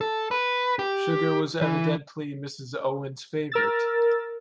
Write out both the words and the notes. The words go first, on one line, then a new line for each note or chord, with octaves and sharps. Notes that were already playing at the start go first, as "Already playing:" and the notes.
Sugar was evidently Mrs Owen’s favourite.
A4
B4
G4
E3
A#4 E6 A6